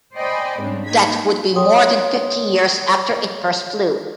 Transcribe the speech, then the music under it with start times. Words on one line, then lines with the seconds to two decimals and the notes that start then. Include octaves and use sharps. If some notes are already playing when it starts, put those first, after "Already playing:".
That would be more than fifty years after it first flew.
0.17 C5 D5 D#5 G5 G#5 B5
0.59 G#2 C#3 G3 C4 D4
0.88 D#3 A#3 D#4 G#6 B6
1.56 A4 C#5 G5 C6 D#6